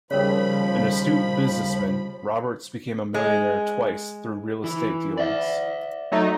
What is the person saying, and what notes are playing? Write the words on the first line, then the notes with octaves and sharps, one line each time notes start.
An astute businessman, Roberts became a millionaire twice through real estate dealings.
D#2 C#3 F3 G3 C#4 A#4 C#5 B5
G#3
E3
D5 E5
F#3 A3 D#4